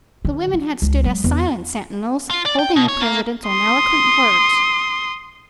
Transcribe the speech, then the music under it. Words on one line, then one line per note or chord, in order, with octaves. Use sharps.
The women had stood as silent sentinels holding the President's own eloquent words.
D#3
F#3
C#2
F#3 G#3
E2
F4
D5
G5
B2
C#5
A#3
C6 D#6